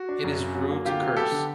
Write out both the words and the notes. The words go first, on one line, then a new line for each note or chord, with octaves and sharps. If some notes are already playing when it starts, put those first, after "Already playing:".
It is rude to curse.
Already playing: F#4
D4
F#2
C#3
F#3
A#3
D3 F4 G4
F#3
B3 G4 A4
D3